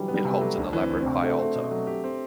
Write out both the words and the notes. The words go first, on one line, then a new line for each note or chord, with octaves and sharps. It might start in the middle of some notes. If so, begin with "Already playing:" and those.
It holds an elaborate high altar.
Already playing: D3 E3 F#3 G3
B3
G3
C3
B3
A3
F#3
D2 D4
E3
C4
D2
C4
C3
A3 F#4
C4
A3
B2
A3
F#3
G4
C4